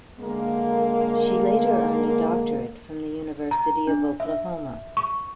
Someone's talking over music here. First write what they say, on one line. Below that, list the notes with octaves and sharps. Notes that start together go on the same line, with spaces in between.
She later earned a doctorate from the University of Oklahoma.
D3 G#3 A#3
A#5
D4
E5
C#6